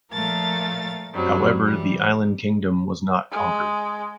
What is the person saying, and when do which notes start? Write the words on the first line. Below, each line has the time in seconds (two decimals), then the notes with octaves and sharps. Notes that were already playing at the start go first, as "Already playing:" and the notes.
However, the island kingdom was not conquered.
0.12 A#2 F3 A3 A#4 F5 A6
1.14 F#2 F#3 G3 C4
1.65 E3 G3
3.32 G#3